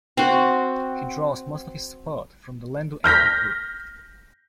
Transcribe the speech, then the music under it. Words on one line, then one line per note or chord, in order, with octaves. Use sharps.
He draws most of his support from the Lendu ethnic group.
C4 F#4
F6 G6 A#6 B6